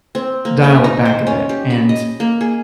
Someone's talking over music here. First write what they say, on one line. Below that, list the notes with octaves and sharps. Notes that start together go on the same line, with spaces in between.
dial it back a bit." And
C4
A#3
E5
D#4
C5
C#4
G4
B5
D#5
A#3
G#4